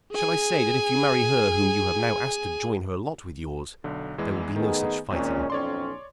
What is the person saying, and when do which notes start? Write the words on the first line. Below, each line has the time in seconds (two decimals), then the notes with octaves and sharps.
Shall I say that if you marry her whom you have now asked to join her lot with yours, there will be no such fighting?
0.13 G#4 G#5
3.84 B1 D3
4.18 E2 E3 G#3
4.56 D#3 A3 B3 D#4 G#4
5.10 D#2 A#2 G#3 C4 C#4
5.50 B1 F2 C#4 C#5 D5 C6